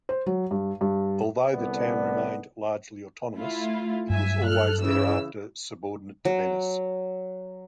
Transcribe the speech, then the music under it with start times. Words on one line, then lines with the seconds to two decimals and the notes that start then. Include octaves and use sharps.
Although the town remained largely autonomous, it was always thereafter subordinate to Venice.
0.09 C5
0.26 F#3
0.51 G2
0.81 G2
1.54 C2 D3 B3 D5
3.35 A3 E4 F4
4.10 G2 F#3 E5 G#5
4.47 A4 F6 F#6
4.81 C#3 E3 E6
6.25 F#3